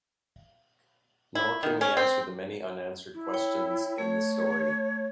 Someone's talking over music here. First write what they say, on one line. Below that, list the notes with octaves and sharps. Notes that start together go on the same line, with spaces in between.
Nor can we answer the many unanswered questions in the story.
E4
D#3
C#4
C4
E4
C#5 G5
A3 C#5